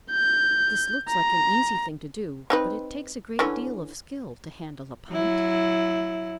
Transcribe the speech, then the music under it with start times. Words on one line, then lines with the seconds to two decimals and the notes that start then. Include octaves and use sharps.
This looks like an easy thing to do, but it takes a great deal of skill to handle a punt.
0.11 G6
1.09 A#5
2.50 C4 D#4 B4
3.39 D3 E3 C#4
5.10 F#3 E4